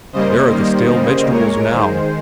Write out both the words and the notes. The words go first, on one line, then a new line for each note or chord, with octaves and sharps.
There are the stale vegetables now.
C#3 G3 A#3 C5 D#5
D#3 G3 A#3
C#3 G3 A#3
A#2 G#3 A#4 C#5
D#3 G#3 C5